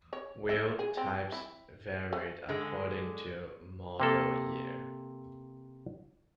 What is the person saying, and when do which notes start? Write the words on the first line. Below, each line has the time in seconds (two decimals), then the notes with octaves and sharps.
Wheel types varied according to model year.
0.13 C#5
0.49 E5
0.79 G#4
0.97 C4
1.32 E4
2.13 A3
2.49 D3 G#3
4.00 C3 A#3 A4